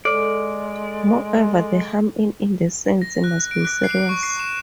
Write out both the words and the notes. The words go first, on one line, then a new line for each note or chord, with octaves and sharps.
Moreover, the harm in indecency must be serious.
G#3 A4 D5
A#6
F#6
D7
F#6
C7
C#6
C7
E7